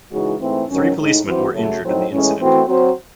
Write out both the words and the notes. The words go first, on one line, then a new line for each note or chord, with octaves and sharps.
Three policemen were injured in the incident.
C#3 E3 G#3 D#4 F#4
G#2 E3 A3 C4
G#2 D#3 F#3 C#4
A2 G#3 D#4
E3 C4 F#4 C5
C#3 F#3 A3
A2 F#3 C4 D#4
A2 E3 G#3 C#4
E3 A3 C4 F#4
F#3 C4 F#4 C5